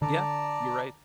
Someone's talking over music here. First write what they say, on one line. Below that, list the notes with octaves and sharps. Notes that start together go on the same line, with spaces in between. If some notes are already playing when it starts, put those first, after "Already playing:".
Yeah. You're right.
D3 D5 A5 A#5